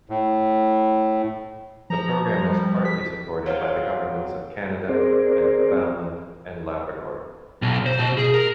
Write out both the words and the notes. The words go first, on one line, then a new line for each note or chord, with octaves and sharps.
The program is partly supported by the governments of Canada and Newfoundland and Labrador.
A2
F3 A#5
G3
B6
F#3 C4 E4 F4
C4 G#4 A#4 C5 D5
B1
C5
B2
G#4
A#4